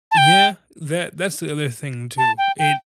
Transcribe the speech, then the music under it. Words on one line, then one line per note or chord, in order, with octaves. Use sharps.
Yeah, that that's the other thing too, it
A5
G5
A5
G5
G5